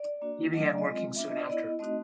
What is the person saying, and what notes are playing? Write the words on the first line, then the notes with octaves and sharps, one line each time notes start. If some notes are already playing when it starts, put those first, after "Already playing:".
He began working soon after.
Already playing: D5
A#3 D4 F#4
F#3 A3 D4 D#5
D5
D#5
G#3 C4 F4
B3 D4 F4 E5
D#5
D5
B3 E4 D#5
A3 C4 D#4 F#4 D#5